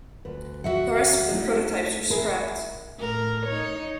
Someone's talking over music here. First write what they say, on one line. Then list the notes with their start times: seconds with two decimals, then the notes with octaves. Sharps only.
The rest of the prototypes were scrapped.
0.25 D2 B4
0.64 F#4 E5 F#5
1.31 A3 D#4 E4
2.10 E4 G#4 A#4
3.00 A2 A#4
3.46 D#4 C#5